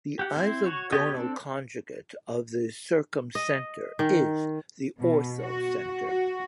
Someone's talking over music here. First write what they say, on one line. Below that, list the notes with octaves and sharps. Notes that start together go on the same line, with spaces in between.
The isogonal conjugate of the circumcenter is the orthocenter.
G4 F#5
C4 E4 C5
F#4 C#5
B3 G4 C#5 D#5
C4 D4 A4
D#5
D#3
B2
F#4
F#4